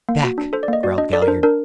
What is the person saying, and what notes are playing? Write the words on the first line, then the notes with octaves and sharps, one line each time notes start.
"Back!" growled Galliard.
A#3
F#4
D4
A4 C5
D5
A#3 D#5
F#4 D5
D4 D#5
A4 D5
A#4
D4 C5
D4 A#4